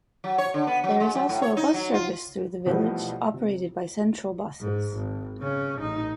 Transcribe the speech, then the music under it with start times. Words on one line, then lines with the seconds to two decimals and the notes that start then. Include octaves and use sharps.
There is also a bus service through the village, operated by Central Buses.
0.24 F#3
0.38 C#5
0.54 D3
0.67 B3
0.84 F#3
1.00 G#3
1.15 F#3
1.29 A2
1.42 C#5
1.57 D#4
1.74 F#3
1.94 F4
2.66 B2 E3 F3 G3 A3
3.34 C3
4.61 G#2
4.97 G#1
5.40 C#3 C#4
5.81 A1 D#4